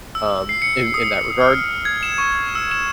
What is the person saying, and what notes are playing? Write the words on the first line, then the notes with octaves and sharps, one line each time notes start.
um, in in that regard,
E6
C7
C#7
D#6
F6
G#6
E7
C#6
E6
E7